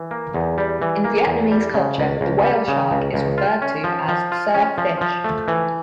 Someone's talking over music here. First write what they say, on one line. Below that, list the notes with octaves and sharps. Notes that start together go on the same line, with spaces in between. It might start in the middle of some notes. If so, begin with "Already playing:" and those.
In Vietnamese culture, the whale shark is referred to as "sir fish".
Already playing: E3
A#3
E2
G3
E3
A#3
E2
G3
C#3
C#2
C#2
G3
C#3
C#2
C#2
F4
C#4
F3
F3
F4
C#4
F3
F3
A3
E3